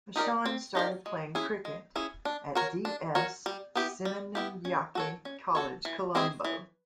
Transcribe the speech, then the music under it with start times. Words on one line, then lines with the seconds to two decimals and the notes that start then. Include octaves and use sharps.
Hashan started playing cricket at D. S. Senanayake College, Colombo.
0.16 D#4 G4 A#4 D5
0.46 C4
0.75 D#4 G4 A#4 D5
1.06 G#3
1.35 C#4 E4 G#4
1.65 G#3
1.96 C#4 E4 G#4
2.25 D4
2.55 F#4 A#4 C#5
2.85 D4
3.15 F#4 A#4 C#5
3.46 G3
3.75 B3 E4 G4
4.05 G3
4.35 B3 E4 G4
4.65 C#4
4.95 F#4 A4 C#5
5.25 C#4
5.55 F#4 A4 C#5
5.85 E3
6.15 G#3 C4 E4 G#4
6.45 E3